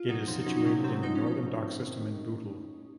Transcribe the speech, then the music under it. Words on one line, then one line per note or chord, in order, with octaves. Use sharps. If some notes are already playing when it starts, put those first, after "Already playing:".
It is situated in the northern dock system in Bootle.
Already playing: F4
F#3 D#4
F2 C4
D#4
F#3 C#4
D#4
C3 C#4
F#3 C4
F3 D#4
C#4
F3 D#4
G#2
C4
D#3
D#3